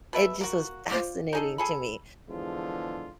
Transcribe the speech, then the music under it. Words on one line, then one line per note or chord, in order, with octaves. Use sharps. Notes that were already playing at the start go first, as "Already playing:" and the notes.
it just was fascinating to me.
B2 B4 E5
A#3 F#4
F4 C5 D5
D#4 G#4 A4
G#4 A4 B5
E2 D3 F3 G#3 F4